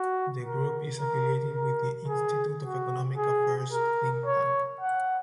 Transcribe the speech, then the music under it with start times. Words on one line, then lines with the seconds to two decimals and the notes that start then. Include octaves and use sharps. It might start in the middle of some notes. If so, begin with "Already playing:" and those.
The group is affiliated with the Institute of Economic Affairs think tank.
Already playing: F#4
0.45 A#4
0.99 A#4
1.53 A#4
2.08 G#4
2.63 F#4
3.17 G#4
3.72 A#4
4.26 C#5
4.81 F#5